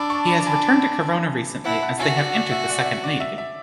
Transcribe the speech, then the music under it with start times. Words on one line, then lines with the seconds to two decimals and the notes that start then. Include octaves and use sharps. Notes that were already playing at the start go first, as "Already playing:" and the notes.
He has returned to Korona recently as they have entered the second league.
Already playing: D4 B5 D6 E6
0.10 A5 C#6
0.27 B5
0.36 A5
0.47 G#5 B5
1.64 E4 F#5 A5
1.82 F#5 A5
1.99 F#4 E5 G#5
2.17 D5 F#5
2.34 D5
2.51 E5
2.69 D5 F#5
2.81 D5
2.86 E5
3.04 D5
3.20 E5
3.38 E5